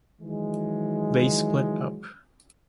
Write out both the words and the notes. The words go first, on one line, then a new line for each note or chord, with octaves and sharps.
They split up.
D#3 E3 F#3 G#3